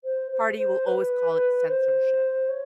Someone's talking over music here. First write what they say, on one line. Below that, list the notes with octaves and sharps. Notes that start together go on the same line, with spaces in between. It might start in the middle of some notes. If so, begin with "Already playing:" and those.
party will always call it censorship
C5
C5
C5
B4
C5
C#5